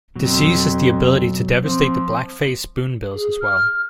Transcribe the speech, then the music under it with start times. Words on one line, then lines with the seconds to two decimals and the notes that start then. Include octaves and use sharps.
Disease has the ability to devastate the black-face spoonbills as well.
0.16 F2 B2 F#3
1.63 F3 C4
3.14 G#4
3.40 F6